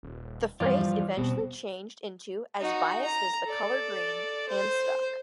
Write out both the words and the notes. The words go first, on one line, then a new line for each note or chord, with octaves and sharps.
The phrase eventually changed into "as biased as the color green", and stuck.
D#1
E2 G2 E3 F3 G3 F4 D5
E1 B2 G3 C4
D#4 F#4
A#5
A4 D5
C5